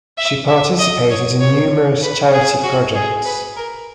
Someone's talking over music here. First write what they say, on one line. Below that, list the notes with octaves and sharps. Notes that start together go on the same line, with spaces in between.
She participated in numerous charity projects.
E5
E5
D#5
C#5
C#5
B4
G#4
F#4
G#4
B4
A#4